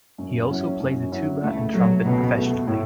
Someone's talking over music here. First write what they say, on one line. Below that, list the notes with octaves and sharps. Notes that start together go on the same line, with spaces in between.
He also played the tuba and trumpet professionally.
F#2
F#3 C#4 E4
F#2
F#3 C#4 E4
C#2 A3
B2 F#3 A3
C#2 B2
B2 A3
A2